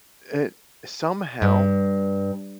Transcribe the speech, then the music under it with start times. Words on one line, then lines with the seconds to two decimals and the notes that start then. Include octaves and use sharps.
it somehow,
1.42 G2